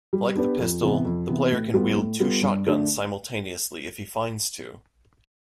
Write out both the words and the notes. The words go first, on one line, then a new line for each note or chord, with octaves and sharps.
Like the pistol, the player can wield two shotguns simultaneously if he finds two.
G3
B3 D4 G4 B4
F2
C3 E3 B3
F2
C3 E3 B3
A2
G3 B3 F4 A4
A2
G3 B3 F4 A4
G2
D3 A3 D4